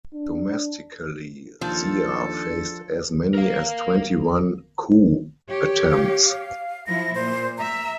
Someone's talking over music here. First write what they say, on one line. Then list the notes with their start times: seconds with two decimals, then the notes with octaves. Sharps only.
Domestically, Zia faced as many as twenty-one coup attempts.
0.14 D4
1.61 D#2 F3 D4 A4
3.34 A#4 F5
5.48 G4 C#5
5.91 F5
6.87 F3 E4 A#6
7.15 A#2 C5
7.58 E5 A#5